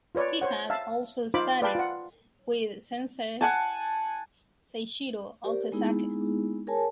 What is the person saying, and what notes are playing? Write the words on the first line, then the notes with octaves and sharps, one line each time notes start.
He had also studied with sensei Seishiro Okazaki.
F4 B4 C#5 D5
C5 C#5 F#5
E5 F5 A5
D#4 F4 C5 B5 D6
B4 D5 F5 G5 A5 B5
F4 F#5
F#5 G#5 A5
G4 A#4 C5 D5
G#3 A#3 B3 D#4 E4 G#4
G#4 A#4 C#5 G#5 A5